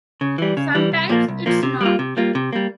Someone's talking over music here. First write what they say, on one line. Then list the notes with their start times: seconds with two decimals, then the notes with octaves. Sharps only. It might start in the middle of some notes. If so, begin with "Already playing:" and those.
Sometimes it's not.
0.21 C#3
0.38 E3 G3
0.57 C#3
0.75 E3 G3
0.92 C2
1.09 A#2 F3 A#3
1.28 C2
1.46 A#2 F3 A#3
1.63 C3
1.81 G3 A#3 F4
1.99 C3
2.17 G3 A#3 F4
2.35 C3
2.53 G3 A#3